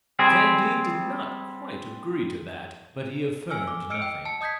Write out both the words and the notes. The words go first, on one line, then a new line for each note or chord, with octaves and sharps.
Candide did not quite agree to that, but he affirmed nothing.
G3 C4 G#4
A4 G#5 E6 F6
D6
D#5 E6 F6 C#7 D7
G5
A5 C#7
D#5 D#6 G6 G#6 B6